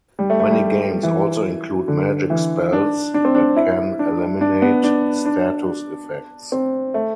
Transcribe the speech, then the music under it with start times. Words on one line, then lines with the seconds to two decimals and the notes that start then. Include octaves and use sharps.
Many games also include magic spells that can eliminate status effects.
0.19 G3
0.30 A3
0.40 A3
0.51 G3
1.03 E3
1.88 D3
2.30 E3
2.73 D4
3.14 D4
3.25 C4
3.35 D4
3.56 E4
3.99 D4
4.41 D4
4.62 B3
4.84 D4
5.25 D4
6.52 C4
6.94 A3